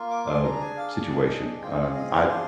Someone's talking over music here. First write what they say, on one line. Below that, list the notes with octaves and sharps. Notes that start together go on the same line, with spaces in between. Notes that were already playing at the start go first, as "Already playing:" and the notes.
uh, situation. Um, I
Already playing: A#3 F4
D6
D4 G#4 C6
A#5
G#5
F5
D4 G#4 D5
D#5
C4 F4 G#4 G5
D#5
C5
D4 F4 G#4